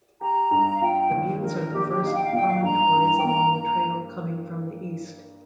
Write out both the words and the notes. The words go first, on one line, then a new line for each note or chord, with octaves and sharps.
The buttes are the first promontories along the trail coming from the east.
G4 A#5
G2
F5
F4 G5
D#2
A#1 A#4
A#4
A#1 G4
G4
D#4 F5
G5
F5
A#2 G5
F5
G2 A#5
G2
G5
A#3 A#5
A#5